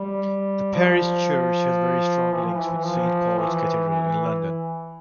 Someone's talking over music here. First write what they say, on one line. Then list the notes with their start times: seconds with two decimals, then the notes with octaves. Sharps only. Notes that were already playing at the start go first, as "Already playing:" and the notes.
The Parish Church has very strong links with Saint Paul's Cathedral, in London.
Already playing: G3
0.75 F3
2.32 E3
2.44 F3
2.56 E3
2.85 F3
3.37 E3
3.89 E3